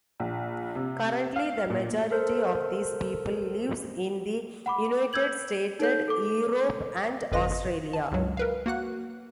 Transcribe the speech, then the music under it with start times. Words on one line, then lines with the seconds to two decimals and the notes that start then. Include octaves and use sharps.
Currently, the majority of these people lives in the United Stated, Europe, and Australia.
0.20 A#1
0.75 C3
1.36 F5
1.70 A#2
2.11 A4 A#4 C5
4.66 F#5 B5 D6
5.13 E6 G6 G#6 F#7
5.79 D#4 A4 C#5 G6
6.08 A4 D6
7.32 G1 F2 B4 D#5 A#6
7.93 A5
8.12 C#2 G2 F#3
8.37 A#4 B4 F5
8.66 A#3 F#4 F#5 F#6